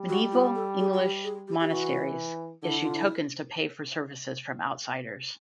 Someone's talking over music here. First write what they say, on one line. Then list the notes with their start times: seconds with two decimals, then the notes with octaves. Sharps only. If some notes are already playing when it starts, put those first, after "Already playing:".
Medieval English monasteries issued tokens to pay for services from outsiders.
Already playing: G3
0.09 F#4
0.32 F4
0.55 A4
0.79 G#4
0.93 F#4
1.02 G4
1.24 G#4
1.48 G4
1.60 G4
1.70 E3 F#4
2.63 D3 E4
2.81 F4
2.95 E4